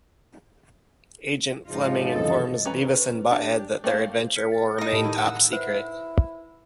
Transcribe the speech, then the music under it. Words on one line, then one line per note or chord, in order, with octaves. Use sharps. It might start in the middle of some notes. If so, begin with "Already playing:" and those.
Agent Flemming informs Beavis and Butt-Head that their adventure will remain top secret.
G#2 C#3 F3 D#4 F4
F#1 D2 C3 E3 A4 D#5
C#4 B4 A#5
D4 G4
A3 A#3 D4 C5 F5
F6 B6 C#7
A6
D#4 A#4 D#6 A#6
A2 G4 A5 B5
D#3 E4
F#5 E6
E4 B4 C5 F#5